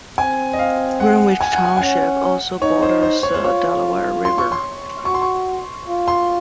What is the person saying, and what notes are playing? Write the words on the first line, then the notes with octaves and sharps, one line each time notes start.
Greenwich Township also borders the Delaware River.
C4 G#5
D#5
F5
F#5
G#5
F#5
G#5
G#5
C#4 F#5
D#4 C#5
C5
C5
C#5
C5
F4 C#5
C6
C#6
C6
F#4 C#6
C6
C#6
F4
C6